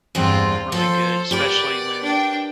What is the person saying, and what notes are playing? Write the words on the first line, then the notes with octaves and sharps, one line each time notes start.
really good, especially when,
E2 G2 C4 F4
F3 A4 C5
G4 A#4 B4 D5 F#5
D4 G5